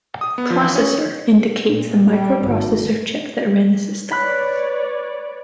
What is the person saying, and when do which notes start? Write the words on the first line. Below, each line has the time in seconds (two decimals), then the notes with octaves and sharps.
"Processor" indicates the microprocessor chip that ran the system.
0.21 D#6
0.38 B3
0.50 F3
0.63 E3
0.75 C#4
1.64 A#2
2.08 G3
2.46 G#1
4.11 B4 C#5 D5 B5 F#6